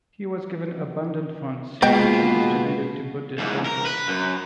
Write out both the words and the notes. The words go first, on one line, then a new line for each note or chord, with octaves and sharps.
He was given abundant funds, which he distributed to Buddhist temples.
B2 G#3 A#3 B3 F4 D#5 G5
E2 G#2
A#4
B4
F#2